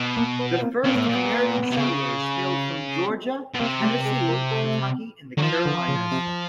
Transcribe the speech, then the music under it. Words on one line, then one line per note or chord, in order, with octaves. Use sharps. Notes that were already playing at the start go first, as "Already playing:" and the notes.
The first American settlers hailed from Georgia, Tennessee, Kentucky, and the Carolinas.
Already playing: B2
A#3
B3
B3
A#3
A#2 C4
A2 B3
A#2 A#3
B3
C3
C#3
B2
C3 A#3
A3
G#3
A#3
A3
D3 F#3
D#3 F3
D3
C#3
C3